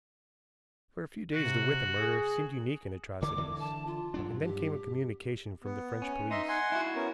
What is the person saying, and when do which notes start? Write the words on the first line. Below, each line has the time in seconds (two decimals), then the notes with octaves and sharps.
For a few days the Withan murder seemed unique in atrocities, and then came a communication from the French police.
1.34 C3 F#4
1.99 G#4
3.22 D2 D3 D6
3.37 D3 E3
3.60 A5
3.87 F4
4.14 G2 F#3 D4
4.44 G4
5.64 B3
6.02 C#4
6.31 D#4 D#5 E5 C6
6.48 F#5 G#5 C6
6.72 E4 F#4
6.95 B3 C#4 A#4